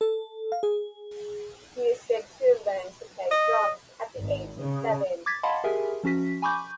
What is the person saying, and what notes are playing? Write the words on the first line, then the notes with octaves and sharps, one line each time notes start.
He is said to have learned to play drums at the age of seven.
A4
F5
G#4
D#5
G#1
C#3
D6 G#6 A6 B6
D#5 F5 F#5 A5 B5 C6
G4 G#4 A#4 E5 G#5
F3 C#4 F#4 B6
G#5 B5 C#6 D6 G6